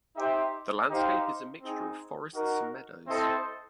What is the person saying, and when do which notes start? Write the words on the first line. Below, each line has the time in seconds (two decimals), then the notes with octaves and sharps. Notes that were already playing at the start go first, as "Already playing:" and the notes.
The landscape is a mixture of forests and meadows.
0.16 D#4 G4 C5 E5 G5
0.90 D#4 G4 C5 F5
1.62 C4 D#4 G#4
2.34 D#4 F#4 A#4
3.07 C4 E4 A4 C5 D#5